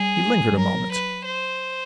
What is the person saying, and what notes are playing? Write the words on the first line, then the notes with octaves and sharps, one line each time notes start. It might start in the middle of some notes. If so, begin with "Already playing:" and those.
He lingered a moment.
Already playing: G3 G#4
G3
F#3 A#4
B4
C5